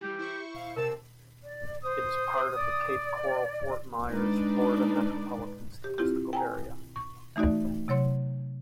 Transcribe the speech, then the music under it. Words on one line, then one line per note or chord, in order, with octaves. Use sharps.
It is part of the Cape Coral-Fort Myers, Florida Metropolitan Statistical Area.
E3 G3 G4
E4 C5 C#6
F5
C3 C4 A#4 A5 E6
D5
C5 D#6
D5
G#3 D4 D#4 B4 D5
G4
C4 E4 F4 G4
G5 G#5 A#5
C#6
E3 A3 D#4 F#4 D5
C3 F#3 C#5 C6